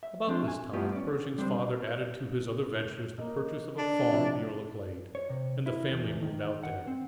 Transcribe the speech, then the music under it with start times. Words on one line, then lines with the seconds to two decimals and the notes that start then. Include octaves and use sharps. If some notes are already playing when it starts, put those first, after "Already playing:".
About this time Pershing's father added to his other ventures the purchase of a farm near Laclede, and the family moved out there.
0.03 E5
0.27 F3 C4 D4 F4
0.48 G#5
0.73 G3 A3 B3 E4 F4 G4
0.92 C#4 D5
1.38 G3 C4 D4 C5
3.18 A#3 D#5
3.78 D4
4.11 C3 F3
5.15 C#5
5.30 C3
5.66 E4
5.91 E2
6.06 E2
6.22 D#3
6.63 F#5
6.87 C4